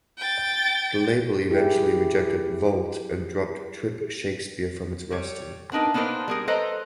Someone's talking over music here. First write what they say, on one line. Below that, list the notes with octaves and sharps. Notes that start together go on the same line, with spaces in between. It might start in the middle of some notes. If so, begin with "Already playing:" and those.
The label eventually rejected "Volt" and dropped Trip Shakespeare from its roster.
G5 A6
E4 G4 G#4
G3 C#5
B3 D4 D#4 A#4
A#3 B3 D4 D#4 A#4 C5
G3 G#4 A#4
A4 B4 C5 D#5 A#5